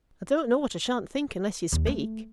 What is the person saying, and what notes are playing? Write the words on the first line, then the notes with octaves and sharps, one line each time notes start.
I don't know what I shan't think unless you speak.
D#2
A3